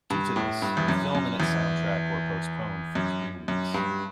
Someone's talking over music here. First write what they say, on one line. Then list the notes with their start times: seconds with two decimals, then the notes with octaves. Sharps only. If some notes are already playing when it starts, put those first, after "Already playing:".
Due to this, the film and its soundtrack were postponed for three weeks.
0.10 G2
0.36 A2
0.62 G2
0.77 E2
0.88 F#2
1.15 F#2
1.40 E2
2.95 F#2
3.48 F#2
3.74 G2